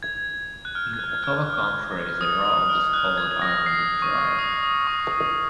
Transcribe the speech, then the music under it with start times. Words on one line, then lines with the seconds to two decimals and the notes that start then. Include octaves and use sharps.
In Ottawa County, the road is called Ironwood Drive.
0.03 G#6
0.65 F#6
0.75 F6
0.93 G#6
0.99 F#6
1.24 F6
2.21 D#6
2.45 D#6
2.69 F6
2.93 F#6
3.18 G#6
3.42 A#6
3.66 C7
4.02 C#6
4.39 D#6
4.63 D#6
4.87 C#6
5.11 D#6